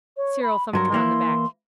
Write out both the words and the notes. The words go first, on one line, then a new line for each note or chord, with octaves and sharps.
Cyril thumped her on the back.
C#5
B5
G2 F#3 A#4 C6
E3 A#3 E4